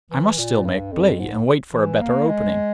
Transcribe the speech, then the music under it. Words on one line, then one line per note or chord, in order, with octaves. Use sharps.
I must still make play and wait for a better opening.
E3
A#2
G2
F2
G#2
E3
A#3
G#3